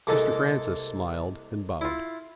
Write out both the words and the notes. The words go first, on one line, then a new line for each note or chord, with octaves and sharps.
Mr. Francis smiled and bowed.
C2 G#3 A#3 A4 A5
E4 F4